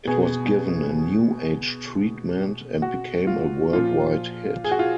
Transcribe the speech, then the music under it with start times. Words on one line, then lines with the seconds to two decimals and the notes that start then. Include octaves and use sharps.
It was given a New Age treatment and became a worldwide hit.
0.07 B2 G#4
2.82 F#4
3.27 F4
3.73 A#2 F3 F4
4.64 G#4
4.71 F#4
4.79 F4